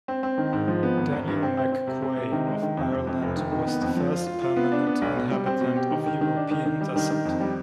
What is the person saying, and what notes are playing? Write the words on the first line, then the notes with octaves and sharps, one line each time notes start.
Daniel McQuay of Ireland was the first permanent inhabitant of European descent.
C4
C4
D#3
G#2
F3
B3
G#1
G#1
G2
C4
C4
C4
C3
C3
C3
D#3
G#3
D#3
F2
F2
F2
F1
D#3
D#3
B3
F2
F3
F4
F4
F4
B3
D4
B3
B1
B2
G3
C4
B2
G4
D#3
D#3
D#3
D4
D#3
D#3
G3
D#3
D#3
F2
G3